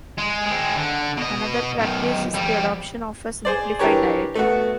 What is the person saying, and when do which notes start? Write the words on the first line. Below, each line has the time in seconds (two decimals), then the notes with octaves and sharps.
Another practice is the adoption of a simplified diet.
0.18 G#3
0.45 G#3 C4
0.76 D3
1.17 B2 D#5
1.78 B1 D#3
2.33 F2 G3
3.45 G#4 C5 D5
3.79 E3 D4 G4 A#4 C#5
4.35 A3 B3 F#4